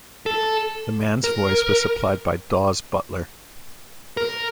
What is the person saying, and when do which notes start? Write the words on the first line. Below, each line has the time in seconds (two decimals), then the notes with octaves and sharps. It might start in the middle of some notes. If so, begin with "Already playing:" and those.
The man's voice was supplied by Daws Butler.
0.26 A4
1.24 A#4
4.17 A#4